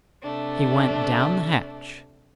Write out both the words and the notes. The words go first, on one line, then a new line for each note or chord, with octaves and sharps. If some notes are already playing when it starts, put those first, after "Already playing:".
He went down the hatch.
C3 A3 D4